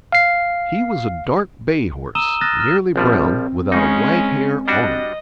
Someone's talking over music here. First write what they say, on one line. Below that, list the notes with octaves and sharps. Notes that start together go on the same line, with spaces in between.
He was a dark bay horse, nearly brown, without a white hair on him.
F5 C7
A#5 D#6 E6 D#7 E7 G7
D#6 F6 F#6 A6 A#6 E7
F6 E7
A#1 F3 G3 C4
C#3 G#3 C#4 D#4
G3 D4 F#4 D#5